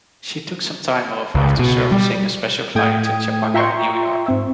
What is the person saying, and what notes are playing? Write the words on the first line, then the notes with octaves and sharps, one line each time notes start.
She took some time off after "servicing" a special client in Chappaqua, New York.
C#2
B2
G3
A2 A3 G5 D#6 G#6
F4 E5 G5 A#5 C6 C#6
G#2 C4 E5